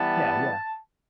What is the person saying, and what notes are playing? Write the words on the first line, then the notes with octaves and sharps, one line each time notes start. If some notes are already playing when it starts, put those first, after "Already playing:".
Yeah, yeah.
Already playing: E3 G3 B3 A5